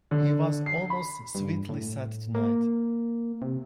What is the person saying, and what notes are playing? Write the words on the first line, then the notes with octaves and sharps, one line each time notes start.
He was almost sweetly sad tonight.
D3
C7
B5
G2
A2
A#3
C3